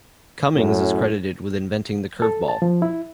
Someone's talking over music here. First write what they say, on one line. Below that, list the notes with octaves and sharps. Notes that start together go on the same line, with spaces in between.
Cummings is credited with inventing the curveball.
F#2 A2
A4
A5
F3
E4